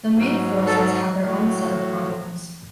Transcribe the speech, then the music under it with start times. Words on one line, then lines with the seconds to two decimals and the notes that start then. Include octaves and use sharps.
The Ming forces had their own set of problems.
0.12 G#2 F#3
0.67 A4
1.22 A2 F#3